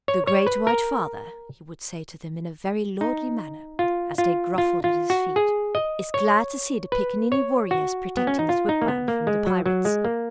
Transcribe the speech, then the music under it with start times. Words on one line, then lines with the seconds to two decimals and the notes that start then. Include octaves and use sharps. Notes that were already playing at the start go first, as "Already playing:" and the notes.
'The great white father,' he would say to them in a very lordly manner, as they grovelled at his feet, 'is glad to see the Piccaninny warriors protecting his wigwam from the pirates.'
0.08 C#5
0.27 C#5
0.47 B4
0.67 A#4
3.01 D#4
3.79 F4
4.18 F4
4.58 F4
4.84 F4
5.10 F#4
5.36 G#4
5.75 D#5
6.14 C#5
6.92 B4
7.32 C#5
7.71 F#4
8.17 B3
8.27 C#4
8.39 D#4
8.49 F4
8.69 D#4
8.82 A#3
8.88 B3
9.08 A#3
9.27 G#3
9.46 F#3
9.66 F#3
9.85 G#3
10.05 A#3